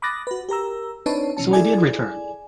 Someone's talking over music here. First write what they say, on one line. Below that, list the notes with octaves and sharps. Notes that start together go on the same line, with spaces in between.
So he did return!
B5 D6 D#6 F#6 A6 A#6
F#4 B4
G4 A#4 A#5 E6
C4 D4 D#4 B4 C#5 A5
B2 E3 C#4 A5
E4 G#4 A4 D5 G#5